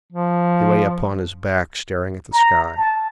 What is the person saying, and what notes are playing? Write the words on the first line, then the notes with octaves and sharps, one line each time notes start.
He lay upon his back staring at the sky.
F3
A#5
A5